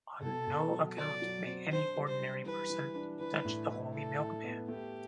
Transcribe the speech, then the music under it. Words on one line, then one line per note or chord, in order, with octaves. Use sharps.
On no account may any ordinary person touch the holy milkman.
B2 A4
B2
F#3
F#3 D5
F#3
C4
D4 C5
G3
C5
G3
E3 B4
E3
D4
E3 B4
A2
E4
E4 A4
E4
B3
A3 G4